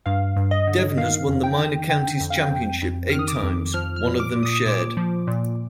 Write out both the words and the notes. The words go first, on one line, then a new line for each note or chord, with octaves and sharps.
Devon has won the Minor Counties Championship eight times, one of them shared.
G2 F5
G2
D#5
D3
D#3 F5
F2
G5
D#3
D3 G5
F2
F5
G5
F2
F2
D#3 F6
D#6
D6
F2
F3 F6
F6
A#2
D6
A#2
D#6
A#2 D6
F3
A#2